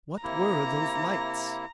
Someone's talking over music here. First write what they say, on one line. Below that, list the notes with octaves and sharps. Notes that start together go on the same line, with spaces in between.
What were those lights?
C3 A#3 E4 A#5